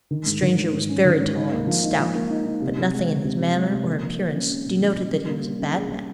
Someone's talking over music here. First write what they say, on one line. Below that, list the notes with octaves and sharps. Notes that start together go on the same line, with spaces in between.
The stranger was very tall and stout, but nothing in his manner or appearance denoted that he was a bad man.
D#3
G#2
D#3
G#2
G#2
C#4
D#3
G#2
D#4
A#3
F3
D#4
F3
A#3
D#4
D#4
C3
C3
G#3
G#3
C3
C3
G#3
C3
A#3
F3
A#3
C#4
C#4
A#2
F3
C#4
G3
A#3
G3
C#4
G#4
C#4